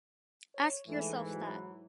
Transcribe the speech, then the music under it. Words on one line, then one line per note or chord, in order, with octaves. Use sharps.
Ask yourself that.
C#5
G#2 E3 A3
F#3